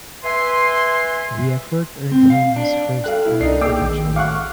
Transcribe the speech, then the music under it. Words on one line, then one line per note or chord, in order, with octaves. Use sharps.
The effort earned him his first Man of the Match award.
B4 E5 G#5 C6
C4
F5
D4
A4 F5 G5 F#6
E4
C2 D4 D#4 C7
A#3 G#4 G5 D6 E6
A#1 D#3
F5 F#5 C#6 D6 F#6